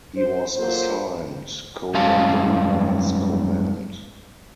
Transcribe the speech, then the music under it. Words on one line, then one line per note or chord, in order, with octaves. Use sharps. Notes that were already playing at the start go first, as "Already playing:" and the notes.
He was assigned "Covadonga"'s command.
C5
F#3 A#3 F4 A4 C5
F#2 G3 G#3 C#4 F5 A5